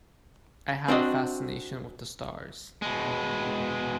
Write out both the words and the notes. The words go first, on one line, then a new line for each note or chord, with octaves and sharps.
I had a fascination with the stars.
C4 D4 F#4 D#5
B2 G#3